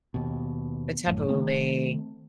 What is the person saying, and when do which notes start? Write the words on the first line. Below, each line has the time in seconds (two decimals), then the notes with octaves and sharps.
the tabbouleh,
0.14 D#2 B2
1.07 A1 F#2 A2
1.29 D#3 F#3 A3 C4